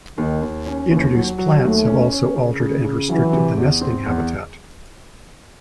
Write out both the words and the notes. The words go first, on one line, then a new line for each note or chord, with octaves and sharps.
Introduced plants have also altered and restricted the nesting habitat.
D#2 D#3
D#2
C#4
D#2 E3
F#3
F#3
D#2 A3
C#4
C#4
C#3
C#3
C#3
E3 F#3
C3
E2
C4
E2